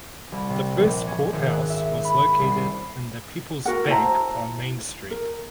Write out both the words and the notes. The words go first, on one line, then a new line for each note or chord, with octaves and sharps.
The first courthouse was located in the Peoples Bank on Main Street.
C2
C3
A#1
C#4
G#1
F#6
E5
B5
C2
C7
F#4 A#4 F#5
E4 C5 A5 A#5
A#4